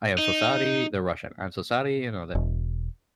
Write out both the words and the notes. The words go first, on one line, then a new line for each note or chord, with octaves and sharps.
"I am so sorry."- They're Russian.- "I'm so sorry." You know that
D#4
E1